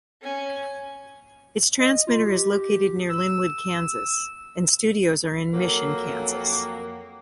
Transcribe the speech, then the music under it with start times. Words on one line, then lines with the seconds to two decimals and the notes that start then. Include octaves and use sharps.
Its transmitter is located near Linwood, Kansas, and studios are in Mission, Kansas.
0.22 C#4 G#5
1.80 D#5
2.07 F4
2.24 G4
3.10 E6
5.53 F2 F#3 A#3